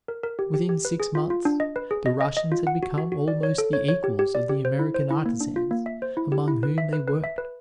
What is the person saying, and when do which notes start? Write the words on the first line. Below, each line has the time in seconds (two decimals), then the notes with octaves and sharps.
Within six months the Russians had become almost the equals of the American artisans among whom they worked.
0.08 A#4
0.23 A#4
0.39 G4
0.54 G4
0.69 G4
0.85 B4
1.00 G#4
1.15 F4
1.30 F4
1.45 D4
1.60 D#5
1.76 B4
1.91 G#4
2.06 D#5
2.21 D#5
2.37 D#5
2.52 F4
2.67 F#5
2.83 F#4
2.98 F#4
3.12 F#4
3.28 D5
3.43 C#5
3.58 A4
3.73 C#5
3.88 C#5
4.04 G4
4.19 G4
4.35 D5
4.49 G4
4.65 C5
4.79 E4
4.94 C5
5.11 E4
5.26 A#3
5.40 D4
5.56 F4
5.71 A#3
5.86 E5
6.02 C5
6.17 E4
6.32 G4
6.48 E4
6.63 B4
6.78 E5
6.93 B4
7.08 B4
7.24 E5
7.38 B4